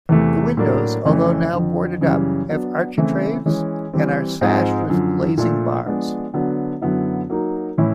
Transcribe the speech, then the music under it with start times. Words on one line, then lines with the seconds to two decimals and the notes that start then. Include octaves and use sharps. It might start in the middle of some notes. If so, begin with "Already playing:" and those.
The windows, although now boarded up have architraves and are sashed with glazing bars.
0.09 E2 C3 E3 A3
0.57 A2 F#3 A#3 D4
1.05 F2 C#3 E3 A3 C#4
1.53 F2 D3 F3
2.01 F#2 C#3 E3 G3
2.49 F#3 B3 D4
2.98 C#3 E3 A3 C4 E4
3.46 E3 G#3 C#4
3.93 E3 G3 C4
4.41 G#2 F3 G#3 C4
4.90 F#2 D3 F3
5.38 A#2 F3 A3 D4
5.86 F3 G#3 B3 D4
6.34 D3 F#3 B3 D4
6.82 F#2 D3 F#3 B3 E4
7.30 F#3 A#3 D#4
7.78 A2 E3 A3 C#4 E4